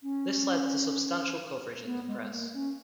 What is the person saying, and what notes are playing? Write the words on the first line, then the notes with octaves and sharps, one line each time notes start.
This led to substantial coverage in the press.
C#4
B3
G#3
A#3
C#4